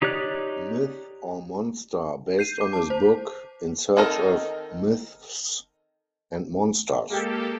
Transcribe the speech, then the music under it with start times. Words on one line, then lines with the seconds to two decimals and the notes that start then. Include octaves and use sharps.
Myth or Monster," based on his book "In Search of Myths and Monsters.
0.02 D#4 G4 C#5 D5 F#6
2.39 G6 C7 D#7
2.61 D6
2.73 A5
2.90 C5
3.97 D#3 C4 D#4 A4 A#4
7.10 G#3 A#3 G4 A4 G5